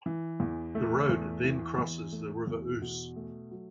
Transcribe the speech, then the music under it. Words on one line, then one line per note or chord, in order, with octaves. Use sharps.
The road then crosses the River Ouse.
E3
E2
A3
E2
E3
E2
A3
E2
B2
A3
F#3